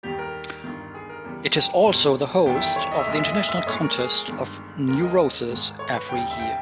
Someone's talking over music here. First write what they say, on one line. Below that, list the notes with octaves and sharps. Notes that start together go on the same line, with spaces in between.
It is also the host of the International Contest of New Roses every year.
D#2 D#3 G3 G4
A#4
G1 G2 D#3
G#4
A#4
E2 C#3 G3
G5
C#2 B2 G3
E2 D#3 G3 G5
E5
G5
C#5
D#5
E5
B1 A#2 G#3 D#5
E5
D#5
E5
D#5
E5
D#5
A#1 A#2 G#3 C#5
A#4
G#4
G1 G2 D#3 G#3
D#2 C#3 G#3 A#4
D#5
G#1 G#2 D#3 G#3
C#5
B4
D#2 C#3 G3 G5
E5
G5